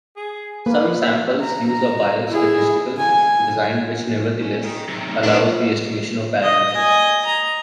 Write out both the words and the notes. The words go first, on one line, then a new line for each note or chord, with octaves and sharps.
Some samples use a biased statistical design which nevertheless allows the estimation of parameters.
G#4
A#3 B4
E5
A#5
E4 G#4
G#5
C#4
D#5 G5
C3 D#3 F#3
G3 A3
A2 D4 F4 B4 F#5
D#5
D#5 G#5
A#5